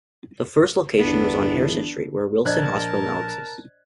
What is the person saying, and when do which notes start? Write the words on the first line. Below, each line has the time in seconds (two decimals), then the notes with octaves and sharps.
The first location was on Harrison Street where Wilson Hospital now exists.
0.98 G1 E2 B3 D4
2.45 A#1 A#4 C5 D5 D#5 A5 F#6 G#6